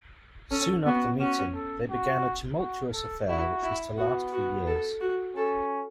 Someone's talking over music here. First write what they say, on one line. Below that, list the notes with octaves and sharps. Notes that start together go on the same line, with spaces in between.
Soon after meeting, they began a tumultuous affair which was to last for years.
C#4 A4
B3 F#4
C#4 F#4
A4
F#4
F#4
A4
E4 F#4
E4
B3 F#4
F#4
A4
F#4
C#4 A4